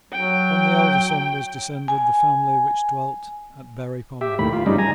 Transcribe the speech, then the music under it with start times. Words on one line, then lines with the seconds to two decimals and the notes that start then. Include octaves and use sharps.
From the elder son was descended the family which dwelt at Berry Pomeroy.
0.12 F#3 G5
1.88 G#5
4.21 G4 E5
4.39 D#2 A2 B5
4.53 F4
4.66 G2 C#3 G3 D#4
4.78 G#5 A#5